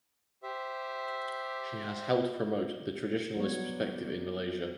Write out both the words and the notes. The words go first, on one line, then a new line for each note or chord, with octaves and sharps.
She has helped promote the traditionalist perspective in Malaysia.
G4 C5 E5
F#3 G3 B3 C#5